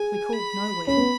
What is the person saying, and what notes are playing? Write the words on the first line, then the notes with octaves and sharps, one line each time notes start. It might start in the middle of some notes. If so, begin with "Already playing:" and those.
'We called nowhere.
Already playing: G#4 G#5
B5
C#4 B5
B3